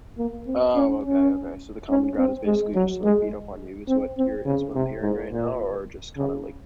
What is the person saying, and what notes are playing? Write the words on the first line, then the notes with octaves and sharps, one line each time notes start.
Oh, okay, okay. So, the common ground is basically just to, like, beat up on you is what you're is what I'm hearing right now, or just kinda like
A#3
C4
C#4
C#4
C#4
C4
G#3
F#3
G#3
C4
C4
C#3
C3
G#2
A#2
C#3